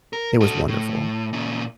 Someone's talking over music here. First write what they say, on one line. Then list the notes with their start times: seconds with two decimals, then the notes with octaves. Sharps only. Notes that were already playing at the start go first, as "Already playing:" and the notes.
it was wonderful.
0.13 A#4
0.41 F#4 A4
0.68 A2
1.33 A#2 C#3